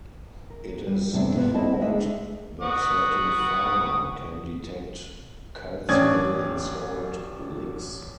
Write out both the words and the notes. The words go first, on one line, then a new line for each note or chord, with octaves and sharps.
It is thought that certain fauna can detect calcium in salt licks.
A#4
G3
E2 C3 G3 A3 C4 D4
A#3 B3 F4 B4 D5 E5
G3 C4 E4 D#5 A5
G#3 A3 D4 G#4 D#5 E5
F#5 C#6 D#6
A1 C#4 D4 D5 D#6 G#6